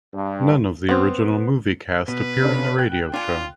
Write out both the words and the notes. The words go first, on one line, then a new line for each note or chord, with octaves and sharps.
None of the original movie cast appear in the radio show.
G2
B3 C4
B2 B4
C#3 D4 A4
G5 F#6
D4 F4 G#5